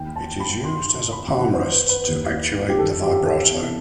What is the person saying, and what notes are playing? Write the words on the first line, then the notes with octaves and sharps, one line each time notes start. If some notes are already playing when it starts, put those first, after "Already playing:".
It is used as a palm rest to actuate the vibrato.
Already playing: D#2 D#3 G5
A5
B5
G2 D#3 C6
B5
F#2 D#3 F#5
C5
B4
B4
D#2 D#3
G4
G2 D#3 A4
G4
A4
E2 C3 E3